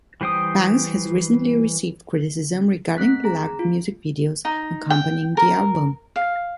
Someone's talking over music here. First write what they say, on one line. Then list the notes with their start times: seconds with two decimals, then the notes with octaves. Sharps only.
Banks has recently received criticism regarding the lack of music videos accompanying the album.
0.21 E3 G3 C5 G5 D#6
2.97 A3 C4 F#6 B6
3.24 G#4 A#5
3.59 F4
4.45 D#4
4.90 G5
5.37 A#4
6.16 F5